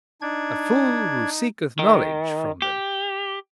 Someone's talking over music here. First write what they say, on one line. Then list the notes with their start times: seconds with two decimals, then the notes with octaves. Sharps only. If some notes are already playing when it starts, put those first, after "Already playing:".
A fool who seeketh knowledge from them!
0.22 D4 D#4 G#6
1.79 D#3
2.62 G4